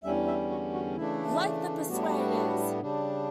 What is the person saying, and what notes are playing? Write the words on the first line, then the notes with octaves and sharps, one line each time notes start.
Like The Persuaders!
E2 D3 G3 C#4 E5
E5
F#4
F#4
C#3 E3 A3 D4 E4
A2 G3 B3 D4 F#4
G4
F#4
C#3 G3 D4